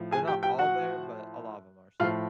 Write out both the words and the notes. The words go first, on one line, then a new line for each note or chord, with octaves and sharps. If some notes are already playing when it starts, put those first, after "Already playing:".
They’re not all there, but a lot of them are still.
Already playing: A2 F3
G#4 G#5
G4 G5
G4 G5
F#4 F#5
A2 F3 F4 F5